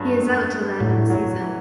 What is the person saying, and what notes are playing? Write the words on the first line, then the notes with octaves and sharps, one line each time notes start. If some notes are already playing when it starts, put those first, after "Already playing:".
He is out till the end of the season.
Already playing: G2 F#3 A3
G2
A3
A2 F#3
F#3
E3